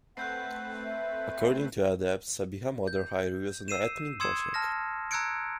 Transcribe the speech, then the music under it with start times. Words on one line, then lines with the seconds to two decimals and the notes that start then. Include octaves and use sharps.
According to Adatepe, Sabiha's mother Hayriye was an ethnic Bosniak.
0.17 A3 C4 B4 F#5 F#6 G6 C7
0.84 E5
2.87 G6
3.68 E6 C7 D#7 E7
4.20 C6 D#6 E6 G#6 C#7 E7
4.54 A5 F6 A#6
5.11 A#5 E6 F#6 G#6 C#7 D7